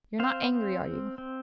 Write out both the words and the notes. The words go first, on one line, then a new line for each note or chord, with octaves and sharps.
You're not angry, are you?
C4 C5 F5
C4
C4
C4